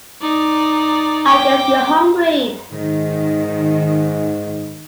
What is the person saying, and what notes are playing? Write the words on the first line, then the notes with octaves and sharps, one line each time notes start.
I guess you’re hungry.
D#4 D5
G5 D6
G#2 D#3